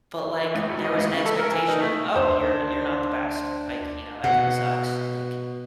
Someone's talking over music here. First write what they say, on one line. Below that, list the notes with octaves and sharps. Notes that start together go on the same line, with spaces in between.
but, like, there was an expectation of, "Oh, you're you're not the best." Like, you know, "That kinda sucks." Like,
C#2
G#1
D#5
C#2
C#3
A4
A#4
E3
D#4
A3
D2 D4 C5
B2 F#5